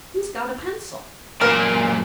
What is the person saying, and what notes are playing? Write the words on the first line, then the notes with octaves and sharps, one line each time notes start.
Who's got a pencil?'
F#2 A#2 G#3 A#4 D5